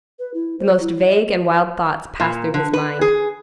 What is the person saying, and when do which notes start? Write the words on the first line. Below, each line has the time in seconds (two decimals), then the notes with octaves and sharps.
The most vague and wild thoughts passed through his mind.
0.19 B4
0.34 E4
0.59 C5
0.81 E4
1.06 D#5
2.20 A#2
2.54 D3
2.73 B4
3.01 G#4